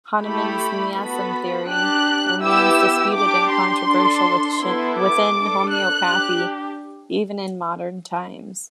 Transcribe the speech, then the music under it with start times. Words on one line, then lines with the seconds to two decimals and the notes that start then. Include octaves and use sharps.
Hahnemann's miasm theory remains disputed and controversial within homeopathy even in modern times.
0.22 A3 E4 G4 B5
0.95 B3 F#4 A4 B5
1.68 D4 G4 F#6
2.41 B3 E4 G4 E6
3.15 D4 G4 D6
3.51 C6
3.87 D4 A4
4.62 B3 E4 A4
4.98 D6
5.35 D4 A4
5.71 F#6
6.08 D4 G4